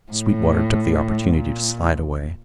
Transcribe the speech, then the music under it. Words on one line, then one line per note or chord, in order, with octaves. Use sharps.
Sweetwater took the opportunity to slide away.
A2
A#2